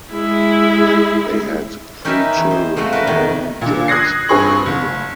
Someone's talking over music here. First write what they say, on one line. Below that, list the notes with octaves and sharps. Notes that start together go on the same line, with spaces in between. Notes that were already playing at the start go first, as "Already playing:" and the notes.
They had three children: Nora, George and Colin.
G#3 E4
C#4 D#4 G4 A#4 B4 E5
E2
C5
F3 G#3 A3 F#4
F#4 A#4 B4 D#5 A5
F2 C3 D#3
A#2 D3
D#6 F#6 G#6 A#6 C7
G2 C4 G#4 B5 C#6 F#7
F#1